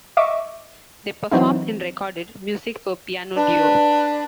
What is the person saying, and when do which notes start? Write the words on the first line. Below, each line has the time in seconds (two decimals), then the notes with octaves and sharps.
They performed and recorded music for piano duo.
0.17 D#5 E5 C#6 D6
1.31 E3 F#3 C4 D#4 E4
3.37 D4 B4